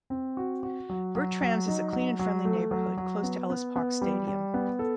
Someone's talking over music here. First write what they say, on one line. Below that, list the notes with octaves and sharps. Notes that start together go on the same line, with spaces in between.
Bertrams is a clean and friendly neighbourhood, close to Ellis Park Stadium.
C4
F#4
F#4
F#3
F#3
F#3
D#4
F#3
F#3
A3
F#3
F#3
B3
B3
B3
G3
G3
B3
A4